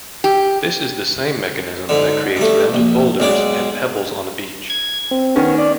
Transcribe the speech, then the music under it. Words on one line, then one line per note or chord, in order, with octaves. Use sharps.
This is the same mechanism that creates rounded boulders and pebbles on a beach.
G4
G#2 D3
G2 A3
A#1
B1 G#3 D5
G#6
C4
D#3 B3 C#4
D5